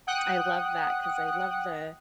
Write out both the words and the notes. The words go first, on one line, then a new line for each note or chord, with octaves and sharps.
I love that 'cause I love the
F#5 G5 D#6 F#6